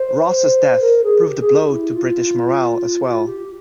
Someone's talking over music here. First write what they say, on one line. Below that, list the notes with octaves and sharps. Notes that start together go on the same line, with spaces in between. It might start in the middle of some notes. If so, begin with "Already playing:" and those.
Ross's death proved a blow to British morale as well.
Already playing: C5
A#4
G#4
G4
G#4
G4
E4
F4
G4
F4
G4